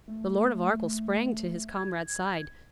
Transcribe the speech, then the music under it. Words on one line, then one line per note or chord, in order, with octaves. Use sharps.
The Lord of Arkell sprang to his comrade's side.
A3
G#6